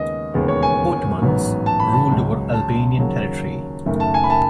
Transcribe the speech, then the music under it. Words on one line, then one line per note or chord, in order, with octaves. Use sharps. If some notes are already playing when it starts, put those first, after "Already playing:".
Ottomans ruled over Albanian territory.
Already playing: D#2 C#3 G#3 B3 D#5
E1 D#2 C#3 G#3 B3
C#5
G#5
A1 G#2 F#3 B3
A5
B5
A5
C#2 C#3 F#3
A5
D#2 C#3 F#3
F#1 F#2 D#3 A3
A5
G#5
B5
A5